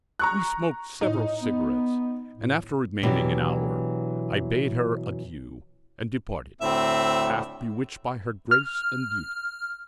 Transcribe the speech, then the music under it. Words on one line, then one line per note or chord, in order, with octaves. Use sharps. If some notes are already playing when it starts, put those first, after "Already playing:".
We smoked several cigarettes, and, after remaining an hour, I bade her adieu and departed, half bewitched by her grace and beauty.
A#5 C#6 F#6
A2 D#4
B3
A2
B2 E3 F#3 B3 D4 G4
D2 A2 C4 E5
F6